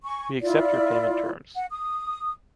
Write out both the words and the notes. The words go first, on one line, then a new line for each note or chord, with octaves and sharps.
We accept your payment terms.
G#5 C#6
E4 F4 D5
F#5
D#6